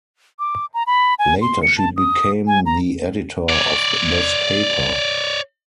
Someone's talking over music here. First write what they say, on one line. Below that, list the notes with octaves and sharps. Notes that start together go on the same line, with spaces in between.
Later, she became the editor of this paper.
D6
A#5
B5
G#5
C6
C#7
A5
D#6
G#5
A#5
C#5 D5